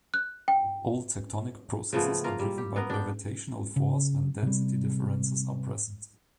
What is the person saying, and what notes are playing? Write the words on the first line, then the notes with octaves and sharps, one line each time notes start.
All tectonic processes are driven by gravitational force when density differences are present.
F#6
G5
C#3 F3 A3 B3
A#3 F4 A#4
G3
G4
B3 A#4
D4 G5
C#3
C3 G3